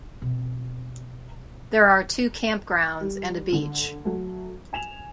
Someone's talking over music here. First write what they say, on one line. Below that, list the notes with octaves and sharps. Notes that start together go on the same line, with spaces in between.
There are two campgrounds and a beach.
B2 C4
G3
D3
F#3 A3
G#5 E7 F7